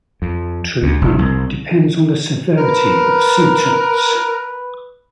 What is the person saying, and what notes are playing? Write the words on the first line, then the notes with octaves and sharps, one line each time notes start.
Treatment depends on the severity of symptoms.
F2
D2
F1
C2
A#4 B4